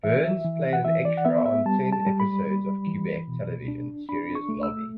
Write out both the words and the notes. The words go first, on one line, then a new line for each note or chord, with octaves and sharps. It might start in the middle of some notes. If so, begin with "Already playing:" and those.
Burns played an extra on ten episodes of Quebec television series Lobby.
E3 E5
E3
F#5
E3 E5
D5
F#5
B3 E5
E5
G3 A5
A5
G3
B5
G3
E3
B2
D4
D4 B5
C#6
A3
E6